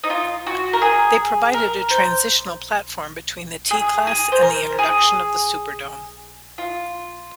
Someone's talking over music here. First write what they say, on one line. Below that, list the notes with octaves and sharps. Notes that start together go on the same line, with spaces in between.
They provided a transitional platform between the T-class and the introduction of the Superdome.
D#4
F4
F#4
A#4
G#4
A#4
C5
G#4
G#4
C5
A#4
G#4
F4